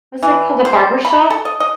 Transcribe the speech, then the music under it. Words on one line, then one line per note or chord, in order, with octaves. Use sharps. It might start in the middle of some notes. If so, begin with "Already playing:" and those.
what's it called, The Barbershop?
E3
C5
B5
A4
D#5
D#5